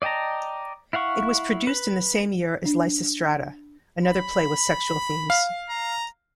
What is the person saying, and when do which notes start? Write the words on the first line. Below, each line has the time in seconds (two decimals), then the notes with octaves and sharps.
It was produced in the same year as "Lysistrata", another play with sexual themes.
0.02 D5 D#5 G5 A5 A#5
0.93 E4 F5 F#5 C#6
1.67 B4
2.65 D4
4.05 B5
5.30 F5
5.70 A#5